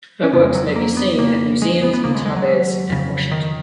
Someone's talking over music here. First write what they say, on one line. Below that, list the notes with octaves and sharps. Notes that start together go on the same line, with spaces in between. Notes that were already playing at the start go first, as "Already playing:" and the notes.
Her works may be seen at museums in Tarbes and Washington.
C#4
F2 C#3 B3
G#3
F#3
A#3
B3
F2 C#3 A#3
G#3
B3
B3
D#2 C#3 A#3
G#3
G#3
F#3
F2 C#3
D#3